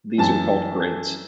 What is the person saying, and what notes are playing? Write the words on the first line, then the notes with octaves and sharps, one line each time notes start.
These are called grades.
F#2 E3 A5